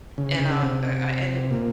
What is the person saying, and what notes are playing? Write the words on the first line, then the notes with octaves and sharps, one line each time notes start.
and, uh, I I ended
C#3
C#3
C3
A#2